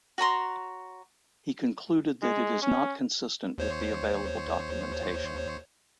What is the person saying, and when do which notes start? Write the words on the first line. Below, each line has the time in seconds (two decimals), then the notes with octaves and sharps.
He concluded that it is not consistent with the available documentation.
0.18 F#4 C#5 A#5 C6
2.23 G#3
2.62 C#4
3.58 D#2 C5 C#5